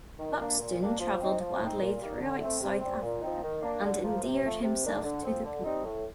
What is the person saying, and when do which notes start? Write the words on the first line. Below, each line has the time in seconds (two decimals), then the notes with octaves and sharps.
Buxton travelled widely throughout South Africa, and endeared himself to the people.
0.19 D#3
0.39 A#3 D4
0.59 A#2
0.80 G3 A#3 D4
1.00 F3
1.20 C4 D#4
1.40 F3
1.60 C4 D#4
1.81 A#2
2.00 G3 A#3 D#4
2.21 D3
2.41 A3 C4
2.61 C3
2.81 G3 C4
3.02 A#2
3.21 F3 C4 D#4
3.42 D#3
3.62 A#3 D4
3.83 D3
4.02 F3 A#3
4.23 C3
4.43 F3 A3
4.63 C3
4.84 D#3 A#3 D4
5.04 D3
5.24 F3 C4
5.44 D3
5.64 G3 C4 D#4
5.85 A2